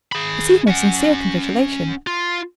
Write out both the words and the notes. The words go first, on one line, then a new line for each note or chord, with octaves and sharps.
"Receive my sincere congratulation."
G#4 B5
C#4 F#5
F4